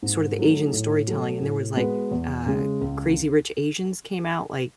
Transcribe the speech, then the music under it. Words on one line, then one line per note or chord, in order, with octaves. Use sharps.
sort of the Asian storytelling, and there was, like, uh, Crazy Rich Asians came out, like,
G#2
F#3 A3 D#4
A2
F#3 A3
A2
G#3 B3 F#4 B4
E2
C#3 G#3
C#2